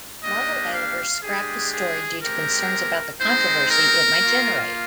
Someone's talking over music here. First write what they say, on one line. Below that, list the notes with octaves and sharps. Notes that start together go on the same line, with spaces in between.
Marvel editors scrapped the story due to concerns about the controversy it might generate.
A#3 D4 G4 D#5
F5
G#3 D4 G4 G#4
G#4
G#3 C4 G4 A#4
G#3 C4 D#4 C5
A#4
A#3 F4